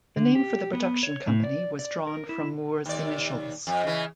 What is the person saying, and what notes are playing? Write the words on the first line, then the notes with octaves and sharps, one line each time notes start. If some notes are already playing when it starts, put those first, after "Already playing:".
The name for the production company was drawn from Moore's initials.
D3
G4
B3
C#5
A2
D5
D5
A#4
E4
D#2 D5
F2
C#3 E3